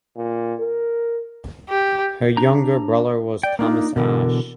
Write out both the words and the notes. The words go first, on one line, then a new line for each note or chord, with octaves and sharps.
Her younger brother was Thomas Ashe.
A#2
A#4
G4
D4 A#5
D5 G5
A#3 D4 D#4 F4
B2 D3 E3 A#4